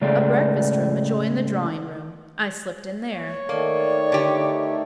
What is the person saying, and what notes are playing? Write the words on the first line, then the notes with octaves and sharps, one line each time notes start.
A breakfast-room adjoined the drawing-room, I slipped in there.
A2 C#3 G#3 A3 D5
C#5
D#3 A3 A#3 D5
D3 G4